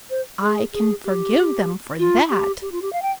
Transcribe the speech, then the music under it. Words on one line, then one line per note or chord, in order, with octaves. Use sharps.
I can forgive them for that.
C5
G#4
G#4
G4
F4
G4
G4
F4
G4
F5
G5